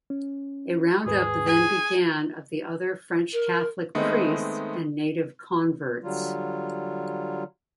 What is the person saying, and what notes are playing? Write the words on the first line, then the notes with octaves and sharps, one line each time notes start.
A roundup then began of the other French Catholic priests and native converts.
C#4
D#2 G#2 G#4 B4
G#5
A#4
D#3 G#3 A3 B3 C4
D3 F#3 G3 F4